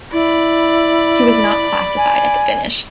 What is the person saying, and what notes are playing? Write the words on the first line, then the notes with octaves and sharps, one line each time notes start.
He was not classified at the finish.
E4 D5 B5
G#5